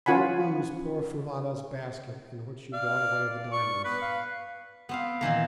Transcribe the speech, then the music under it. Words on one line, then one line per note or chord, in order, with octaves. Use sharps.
Don't lose poor Foulata's basket in which you brought away the diamonds.
C#4 F4 F#5 G#5 B5
D5 F5
C#6
B3 B4
F5
B3 C4 F5
A#2 D#3 E3 A#3